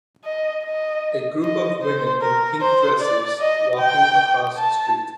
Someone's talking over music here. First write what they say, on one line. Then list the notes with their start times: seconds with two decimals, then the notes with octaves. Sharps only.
A group of women in pink dresses, walking across a street.
0.24 D#5
0.64 D#5
1.43 D#5
1.82 C5
2.21 A#4
2.61 C5
3.00 D5
3.40 D#5
3.78 G5
4.58 A5